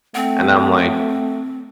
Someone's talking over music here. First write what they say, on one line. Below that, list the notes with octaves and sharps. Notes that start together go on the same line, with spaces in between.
And I'm like,
A3 C4 F#5 G5